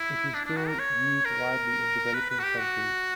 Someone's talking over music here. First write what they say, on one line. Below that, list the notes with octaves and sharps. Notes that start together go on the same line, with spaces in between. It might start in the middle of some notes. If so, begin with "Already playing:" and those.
It is still used widely in developing countries.
Already playing: E4
D4
D4
F#4
A#4
C#5
A#4
B4
B4
F#4
G4
F#4